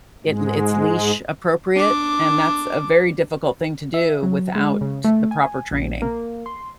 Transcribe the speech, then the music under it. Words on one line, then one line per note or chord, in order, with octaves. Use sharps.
it it's leash appropriate, and that's a very difficult thing to do without the proper training.
G#2 G#3
D4 D6
E5
F#3
G#3
C#3
A3
G#5
A#1
A#3
C6